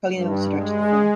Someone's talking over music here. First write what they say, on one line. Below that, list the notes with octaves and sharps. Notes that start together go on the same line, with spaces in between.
Carlino also directed the film.
G2
G#3